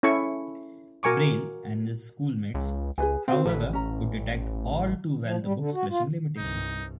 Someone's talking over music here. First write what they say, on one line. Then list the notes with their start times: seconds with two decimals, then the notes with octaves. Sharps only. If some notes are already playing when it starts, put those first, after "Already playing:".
Braille and his schoolmates, however, could detect all too well the books' crushing limitations.
0.03 C#4 E4 A4 C#6
1.03 F#4 A#4 G#5 C#6 D6
2.54 C#2
2.98 C#2 G#4 B4 G#5
3.28 C4 F#4 C5 F5
3.46 A1 A4 B4
3.73 C#4 A#5
5.22 F3
5.41 G3
5.57 D3
5.73 F#4
5.90 F4
6.37 C2 G2 D#4